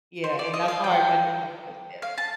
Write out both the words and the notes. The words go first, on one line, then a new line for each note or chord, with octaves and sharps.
Yeah, and that's how I measure progress, yeah.
C5
D5
D#5
F5
G5
F5
A5